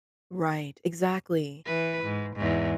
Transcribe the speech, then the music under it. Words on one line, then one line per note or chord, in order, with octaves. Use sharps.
Right, exactly,
E3 B4
G#2
E2 G#2